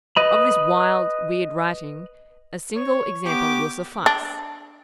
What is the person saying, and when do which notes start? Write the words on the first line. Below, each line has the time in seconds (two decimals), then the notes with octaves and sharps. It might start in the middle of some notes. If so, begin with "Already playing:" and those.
Of this wild weird writing, a single example will suffice.
0.17 B4 D#5 B5
2.76 C#5 C#6
3.25 B3 G4 D6
4.06 D4